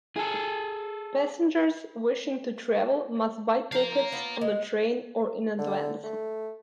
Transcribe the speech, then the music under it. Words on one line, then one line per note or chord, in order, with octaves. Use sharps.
Passengers wishing to travel must buy tickets on the train or in advance.
G#4 A4
F3 A#4 F5 A#5
B3 F4
G#3 D#5
D3
A3